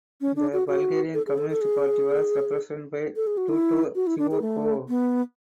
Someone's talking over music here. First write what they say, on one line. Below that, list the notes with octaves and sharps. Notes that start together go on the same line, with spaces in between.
The Bulgarian Communist Party was represented by Todor Zhivkov.
C#4
D4
F#4
F#4
A4
G#4
A4
A4
G#4
A4
G#4
F#4
E4
F#4
E4
D4
G#4
A3
B3